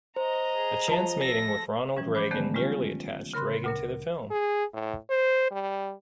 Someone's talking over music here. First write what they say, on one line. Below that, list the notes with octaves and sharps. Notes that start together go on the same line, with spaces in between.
A chance meeting with Ronald Reagan nearly attached Reagan to the film.
C5 D#5 A#5
G#4
F3 A5
A4 A#6
E3 F3 G3 C#4
C5 B5 D6 G6
D3 D#3 F3 G#3 A3 B3
G3 G#3 C#4 F4 G4
C#3 A#4 B5 C6 F#6
D2 A#2 A#4
G#4
A2
C5
G3